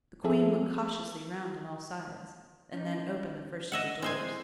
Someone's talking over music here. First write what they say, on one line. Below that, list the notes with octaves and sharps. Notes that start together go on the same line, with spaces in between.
The Queen looked cautiously round on all sides, and then opened the first of the doors.
F3 C4 G#4 A4 E5
C#4 D#4
D#5 E5 F#5
G#3 C4 E4 C5 G#5